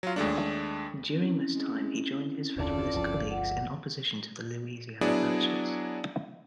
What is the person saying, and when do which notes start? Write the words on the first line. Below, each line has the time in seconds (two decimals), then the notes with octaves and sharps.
During this time he joined his Federalist colleagues in opposition to the Louisiana Purchase.
0.03 F#3 F4
0.16 D#2 G#3 A3 D4
1.11 C4 C#4 E4
1.55 G#3
2.57 F#1 D#2 D3 F4 A4 D5
2.93 G1 C#2 F3
3.31 F#5
5.01 F#3 B3 D4 E4 G#4 D5